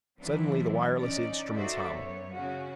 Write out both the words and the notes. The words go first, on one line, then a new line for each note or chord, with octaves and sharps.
Suddenly the wireless instruments hummed.
F#2 E3 F#3 C4 D4 E4
C#4 D#4 D5
D#4 F#4 A4 C5 D5 E5
F#2 B3 C#5
C#3 C#4 F#4